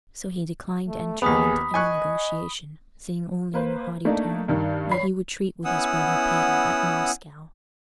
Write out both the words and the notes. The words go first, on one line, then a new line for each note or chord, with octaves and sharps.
So he declined entering into any negotiation, saying only in a haughty tone "that he would treat with his brother Peter at Moscow."
A3
D#2 B3 G#4 B5 D#6 B6
D#5 G#5 C#6 F#6
A#3 B4 C5
A3 A#3 D4 D#4
G2 D#3
C#5 B5 C7
B3 C#4 E4 F#5 D#6 E6